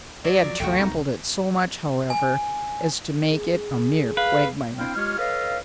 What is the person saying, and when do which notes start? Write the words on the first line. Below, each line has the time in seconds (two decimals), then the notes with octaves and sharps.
They had trampled it so much, however, as to make it a mere quagmire.
0.25 F#3 D5
0.44 F3
0.60 A1 D#2 B2 A3 F#4 G5
0.79 C2 F2 C4 D#4
0.91 C2
2.10 G#5
3.31 G#4
4.17 B4 F5
4.78 C4 D4 E4 C5 F5 G5
4.96 G#3 F4 G4 C#5 F6
5.18 A4 B4 C#5 D#5 F5